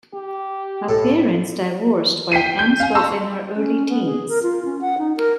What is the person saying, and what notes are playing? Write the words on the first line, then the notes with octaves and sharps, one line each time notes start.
Her parents divorced while Emms was in her early teens.
G4
A2
G5 B6 C7 D#7
G6
F5 G#5
A5 A#5 C6 C#6 E6
C#4
B3
G#4
A#4
F4
C#4
F#5
D#4
A#4